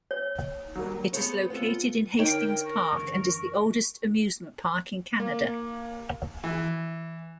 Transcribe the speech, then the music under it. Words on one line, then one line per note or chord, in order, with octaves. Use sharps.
It is located in Hastings Park and is the oldest amusement park in Canada.
C#5
F#3 G3 A#3
B3 G#4 A4 C5 C#5
B3 C4 F4 A4
D3 D#4 A#4 C#5 G5
A#4 C#6
F#2 D3 E3
A#3
E3